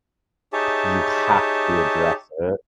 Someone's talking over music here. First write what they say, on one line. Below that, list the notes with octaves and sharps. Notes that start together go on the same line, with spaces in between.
you have to address it.
D#4 G4 G#4 C#5 E5 A5